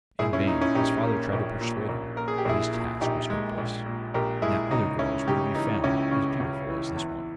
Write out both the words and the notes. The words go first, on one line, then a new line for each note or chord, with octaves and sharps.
In vain his father tried to persuade him that his task was hopeless, and that other girls were to be found as beautiful as this one.
A#1 E4 G#4
C#4 E4
A#2 D#4
C#4 E4
A#1 D#4 G4
A#3
A#1
A#2
A#1
A#3 A#4
G#4
G4
A#1 E4 G#4
A#2
A#1 D#4 G4
G#3
A#1
A#2
A#1 G4 A#4
G#3 E4 G#4
C#2 D#4
C#3 C#4 E4
C#2 D#4 G4
E3 D#4
C#2 C#4 E4
C#3
C#2
E3
E2